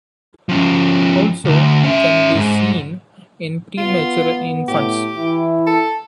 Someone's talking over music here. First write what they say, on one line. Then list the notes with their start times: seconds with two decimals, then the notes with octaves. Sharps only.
Also can be seen in premature infants.
0.49 F3 C#4
1.45 D2
1.84 C#4 E5
2.35 G#2
3.78 B3 F4
4.68 A2 G4
5.17 E3 E4
5.67 A4